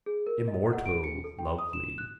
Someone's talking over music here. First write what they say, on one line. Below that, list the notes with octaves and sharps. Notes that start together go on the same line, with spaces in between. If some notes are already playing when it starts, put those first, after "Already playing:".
Immortal lovely.
G#4
A#4
D#5
F#5
D7
C#7
A4
G5
D#6
E7
F#6